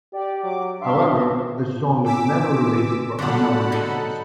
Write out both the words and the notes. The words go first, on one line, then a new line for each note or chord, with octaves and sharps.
However, the song was never released for unknown reasons.
G4 D5
F#3 D6
G2 E5 F5 C6
D3 G#5 D6 E6 B6
B2
D3 F#3 G3 F#5 A5 B5
D#4 A4